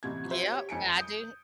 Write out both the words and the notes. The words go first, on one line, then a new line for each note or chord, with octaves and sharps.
Yep, I do
A1 C3 G#6
F#4 C5 E5
G4 C#5
F2 G#5 C#7 D7
D#6 G6